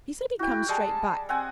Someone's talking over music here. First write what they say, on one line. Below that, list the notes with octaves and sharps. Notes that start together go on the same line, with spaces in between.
He said he'd come straight back.
E4 F#4 G5
G3 G#3 A5
C4 F#5 G#5